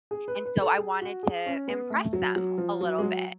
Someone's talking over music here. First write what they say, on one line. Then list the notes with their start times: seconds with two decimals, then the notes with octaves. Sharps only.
and, so, I wanted to impress them a little bit.
0.11 G#4
0.28 B4
0.45 B4
0.61 A4
0.78 G#4
1.02 F#4
1.23 G#4
1.46 C#4
1.68 B3
1.90 A3
2.13 F#3
2.36 F#3
2.58 F3
2.81 F#3
2.99 G#3
3.03 F#3